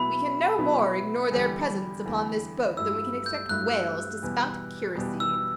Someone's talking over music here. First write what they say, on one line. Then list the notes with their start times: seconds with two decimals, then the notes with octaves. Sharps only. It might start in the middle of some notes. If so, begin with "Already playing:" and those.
We can no more ignore their presence upon this boat than we can expect whales to spout kerosene.
Already playing: B2 F#3 B3 E4 B5
0.59 B2 F#3 B3 E4
1.31 E2 D3 G3
2.04 E2 D3 G3
2.77 G2 F#3 A3 E4 E6
3.26 G6
3.49 G2 F#3 A3 E4 F#6
4.23 E2 B2 G3 B3
4.95 E2 B2 G3 B3
5.20 E6